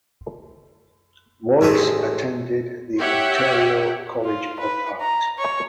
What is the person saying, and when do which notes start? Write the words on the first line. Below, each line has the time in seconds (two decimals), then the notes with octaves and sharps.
Wallace attended the Ontario College of Art.
1.61 A1 G#3 A3 D#6
3.00 G4 C#5 E5 F#5 G5
4.25 F4
4.60 B4
5.01 A#5
5.38 C#5